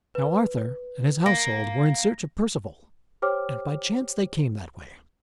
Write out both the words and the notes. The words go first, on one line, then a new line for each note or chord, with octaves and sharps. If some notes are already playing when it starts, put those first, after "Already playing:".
Now Arthur and his household were in search of Perceval, and by chance they came that way.
B4
A#3 A#6
G4 C5 C#5 G5 D6 F6